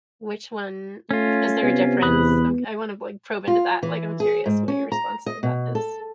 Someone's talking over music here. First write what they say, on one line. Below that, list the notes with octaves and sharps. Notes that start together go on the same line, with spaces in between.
Which one is there a difference? I’m g I wanna, like, probe into that; like, I'm curious what your response to that is.
A3 C#4 F4
C3 B3
E2 B5 D#6 F#6
F4
E3
G#4
G#2
C#4
A#5
D#5
B2
A4